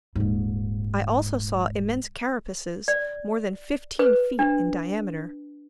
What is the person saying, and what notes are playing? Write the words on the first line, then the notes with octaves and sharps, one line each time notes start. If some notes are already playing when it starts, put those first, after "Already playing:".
I also saw immense carapaces more than fifteen feet in diameter.
D#1 G#2
D5
B4
D4